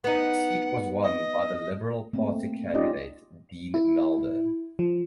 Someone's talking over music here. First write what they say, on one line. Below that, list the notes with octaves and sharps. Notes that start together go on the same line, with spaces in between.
The seat was won by the Liberal Party candidate, Dean Nalder.
B3 D#4 F#5
D#5
A3 A#3 C4
C#4 D#4 F4 G4 D5 D#5
E4
F3